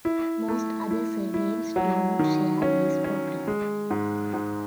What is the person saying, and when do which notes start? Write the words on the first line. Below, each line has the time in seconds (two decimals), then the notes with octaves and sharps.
Most other surnames do not share these problems.
0.05 E4
0.48 A3
0.91 E4
1.34 E4
1.76 F#3
2.19 D#3
2.62 C#4
3.04 C#4
3.47 G#3
3.90 G#2
4.34 G#2